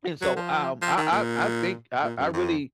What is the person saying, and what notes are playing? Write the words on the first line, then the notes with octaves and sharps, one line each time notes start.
and so, um, I I I think I I really,
F#3
F3
F3
D#3
A#2
A#2
F#2
F2